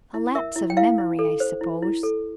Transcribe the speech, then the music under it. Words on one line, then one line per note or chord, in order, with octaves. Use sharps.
A lapse of memory, I suppose.
E4
A#4 E5
E4
G5
E4 F5
E4
A4
C5
E4
E4
A4